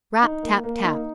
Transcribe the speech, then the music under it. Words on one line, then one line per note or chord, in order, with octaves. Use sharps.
Rap! tap! tap!
D#4
A#3
A#3
D#4